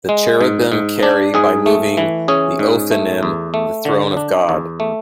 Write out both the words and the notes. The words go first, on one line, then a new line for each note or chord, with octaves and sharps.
The cherubim carry, by moving the Ophanim, the throne of God.
G#3
G#2
G#2
D4
G#2 G#4
A3
E3
C#4 G#4
G#2
A3
E2
A3
D3
D4
E2
A3